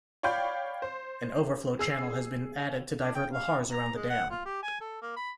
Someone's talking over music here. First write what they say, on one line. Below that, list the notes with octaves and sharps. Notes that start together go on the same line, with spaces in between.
An overflow channel has been added to divert lahars around the dam.
C#5 D5 F5 G5 B5 G6
C5
G#4 E6 C7
D4
G5
F5
A#5
G#3
F#5
F4
G4
G#5
A4
A#3
B5